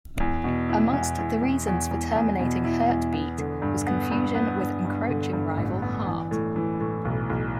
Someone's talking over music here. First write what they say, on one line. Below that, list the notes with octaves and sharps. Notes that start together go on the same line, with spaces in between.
Amongst the reasons for terminating HertBeat was confusion with encroaching rival Heart.
E2
B2
E4
E2
E2
E2
E2
E2
E2
B2
E4
E2
B3
D3
G2
B3
G2
B3
G2
G2
D3
G2
A1
B3
E3
A2
E3
A2
B1
B1